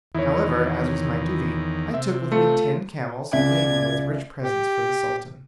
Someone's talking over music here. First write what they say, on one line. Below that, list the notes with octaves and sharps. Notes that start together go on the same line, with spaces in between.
However, as was my duty, I took with me ten camels, laden with rich presents for the Sultan.
E2 D#3 E4 C#5
C3 E5
A3 F4 C#7
C#2 D5 E5 G#6
G4